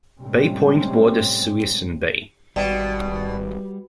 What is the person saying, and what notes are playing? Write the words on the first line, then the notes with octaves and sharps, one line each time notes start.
Bay Point borders Suisun Bay.
A2 C3 G3 G#3 C4 C#4
G#1 B2 G3 D5 G5